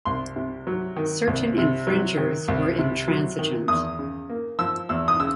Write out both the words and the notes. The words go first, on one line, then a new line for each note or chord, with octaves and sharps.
Certain infringers were intransigent.
C2 C6
C3
F#3
D#3
C2
C3
F#3
D#3
C2
C3
F#3
D#3
E2 D#6
C#3
A#3
F3 E6
E2 E6
D#6
C#3 E6